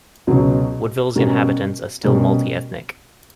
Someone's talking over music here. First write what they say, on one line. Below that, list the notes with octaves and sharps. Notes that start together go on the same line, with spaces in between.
Woodville's inhabitants are still multiethnic.
C#2 B2 F#3 B3 F#4
B2 G3 C#4 F#4 A#4
B2 G3 C#4 F#4 A#4